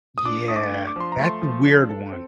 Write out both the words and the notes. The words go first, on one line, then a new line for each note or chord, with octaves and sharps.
Yeah. That weird one.
D#6
D4 D6
A3 D#6
D6
D4
D6
F3 C6
A#5
A3 C6
F3
D4
A4
C4